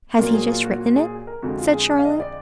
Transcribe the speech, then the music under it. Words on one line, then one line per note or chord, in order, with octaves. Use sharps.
'Has he just written it?' said Charlotte.
A#2 F#3 A#3 A#4
G#4
F4
F#4
F#4
G#4
A#4
F2 D3 G#3 F#4
F4
G#4
F5
D#5
D5